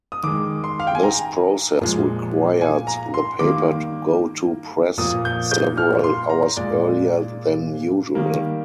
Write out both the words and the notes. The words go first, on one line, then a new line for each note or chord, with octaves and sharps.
This process required the paper to go to press several hours earlier than usual.
D#6
D#3 G#3 D6
C6
F5
G5
G#5
A#5
A#2 F3 G#3
G#5
A#5
C6
D#3 G3 A#3 D6
A#2 F3 A#3 D#6
G6
G6
F6
C6
A#5
A#2 G#3 D5
D#3 G3 A#3